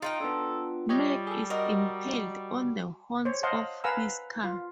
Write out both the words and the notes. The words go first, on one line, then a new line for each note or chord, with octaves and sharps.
Mac is impaled on the horns of his car.
D#4 F4 F5 G5 A#5
B3 D4 A4
G3 G4 C#5 D#5
G#4 A4
F#4 A#4 D#5
C5 C#5
C5 D#5 F5 F#5 A5 C6
B4 F5 F#5 G#5 A#5 E6
F4